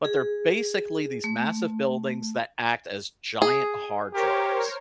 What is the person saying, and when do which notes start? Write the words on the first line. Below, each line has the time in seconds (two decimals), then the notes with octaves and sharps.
but they're basically these massive buildings that act as giant hard drives
0.05 G#4
1.24 A3
3.42 G#4
4.14 G4 A#4 C5 C#5